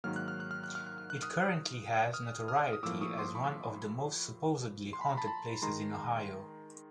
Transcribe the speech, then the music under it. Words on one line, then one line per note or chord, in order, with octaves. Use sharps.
It currently has notoriety as one of the most supposedly haunted places in Ohio.
G#2 D#3 F#3 A#3 F6
F#6
F6
F#6
F6
F#6
F6
F#6
F6
F#6
D#6 F6
D#6 F6
D#6 F6
D#6
A2 F3 A#3 D6 E6
C#6 D#6
C6 D6
B5 C#6
C6
B5
A#5
A5 B5
A5 B5
D#3 G#3 A#5 C6